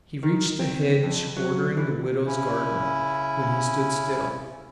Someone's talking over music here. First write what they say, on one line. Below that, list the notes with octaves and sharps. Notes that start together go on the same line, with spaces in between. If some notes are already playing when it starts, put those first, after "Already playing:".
He reached the hedge bordering the widow's garden, when he stood still.
D#3
C4
F2
F#3
E3
C#3 C#4 E4